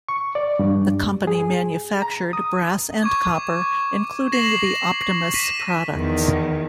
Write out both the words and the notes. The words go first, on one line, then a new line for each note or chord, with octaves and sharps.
The company manufactured brass and copper, including the Optimus products.
C#6
D5
G2
G#4
A#5
D#6
C#6 D6 G#6
A#6 C7 E7 F#7
A#6 B6 D#7 E7
E2 D#3